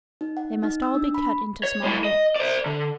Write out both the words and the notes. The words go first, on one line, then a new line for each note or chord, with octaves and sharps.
They must all be cut into small bits.
D#4
F#5
D#4
E6
D4
B5
C#5
G#3 E4
D#5
C5 D5
D3